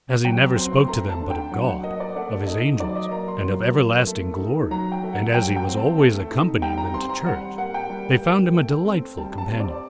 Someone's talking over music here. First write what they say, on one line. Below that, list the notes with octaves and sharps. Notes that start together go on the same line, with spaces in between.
As he never spoke to them but of God, of His angels, and of everlasting glory, and as he was always accompanying them to church, they found him a delightful companion.
F#3 G5
C4 C6
C6
A3 A#5
A5
D4
G5
F#3 F#5
F#5
A#3 D#5
D5
A3 F#5
D#4 D#5
F#3 D5
D#5
A#3 A#5
C6
F#3
A#3
A3
D#4
F#3 A#5
G5
A3
F#5
F#3 G5
G5
C4
A5
A3
D#4
G3 G5
A#5
C4 C6
A#5
G3 F#5
A#3 F#5
G5
G3
A#3
A3
C4
G3 A5
A5
C4
D5